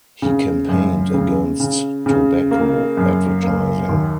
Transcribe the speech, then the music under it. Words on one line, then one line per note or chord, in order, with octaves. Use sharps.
He campaigned against tobacco advertising.
C#3
F#2
C#3
C#3
C#3
A#3
F#2
A#3
D#2